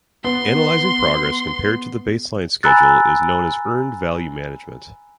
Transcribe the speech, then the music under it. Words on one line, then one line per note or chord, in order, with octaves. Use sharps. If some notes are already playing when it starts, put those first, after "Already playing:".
Analyzing progress compared to the baseline schedule is known as earned value management.
B3 C6
G#5 A#5 B5 E6 F#6 A6